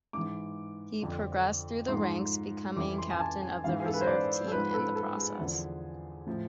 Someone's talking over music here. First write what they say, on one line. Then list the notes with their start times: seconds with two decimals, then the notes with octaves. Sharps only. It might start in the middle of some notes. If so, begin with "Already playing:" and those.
He progressed through the ranks, becoming captain of the Reserve Team in the process.
0.13 G#2 E3 D6
1.01 F2 D3 F3
1.88 G#2 F3 C6
2.76 F2 E3 D6
2.98 C6
3.10 G#5
3.20 A5
3.42 G#5
3.64 G#2 E3 F5
3.80 G#4
3.86 A4
3.93 B4
4.01 C5
4.07 D5
4.48 A4
4.51 G#2 F3 B4
4.69 B4
4.74 A4
4.96 A4
5.17 G#4
5.39 E2 D3 F3
6.27 A2 F3